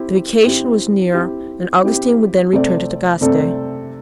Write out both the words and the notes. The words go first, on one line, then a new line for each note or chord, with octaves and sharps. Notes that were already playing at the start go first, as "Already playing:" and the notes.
The vacation was near, and Augustine would then return to Tagaste.
Already playing: C4 E4 G4
C4 E4 G4
C4 E4 G4
C4 E4 G4
C3 A3 C4 A4 D5
C3 A3 C4 A4 D5